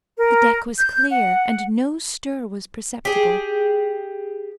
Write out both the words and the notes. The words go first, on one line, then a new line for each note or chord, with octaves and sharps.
The deck was clear, and no stir was perceptible.
A#4
G6
F#5
G4 G#4